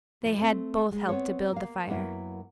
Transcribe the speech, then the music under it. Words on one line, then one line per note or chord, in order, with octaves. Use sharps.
They had both helped to build the fire.
E3 F3
A3 C4
G#3
B3 C4 C#5
A#3 F5
F#2 F#3 A#3 B3 E4